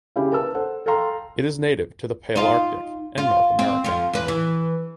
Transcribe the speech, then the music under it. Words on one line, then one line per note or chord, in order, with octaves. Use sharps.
It is native to the Palearctic and Northern America.
C#3 E4 G4
A#4 B4 A5 E6
A4 C5 F#5
A4 F5 G5 A#5 C6
D#4 F4
F4
C4
F2 F4
E2 B4
E3